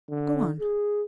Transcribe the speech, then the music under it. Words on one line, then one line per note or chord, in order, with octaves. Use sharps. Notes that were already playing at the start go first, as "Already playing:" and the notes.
Go on.
D3
G#4